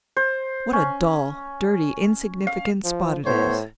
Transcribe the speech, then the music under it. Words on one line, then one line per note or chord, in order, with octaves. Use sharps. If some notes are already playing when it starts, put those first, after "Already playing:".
What a dull, dirty, insignificant spot it is!
C5
C#4
F5
F3
A2 B3 C5 C#5